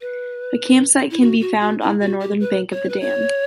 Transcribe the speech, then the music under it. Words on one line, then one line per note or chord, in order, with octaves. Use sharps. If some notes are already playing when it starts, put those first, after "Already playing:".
A campsite can be found on the northern bank of the dam.
B4
E4
F#4
F#4
F#4
E4
F#4
G4
B4
C#5
B4
C#5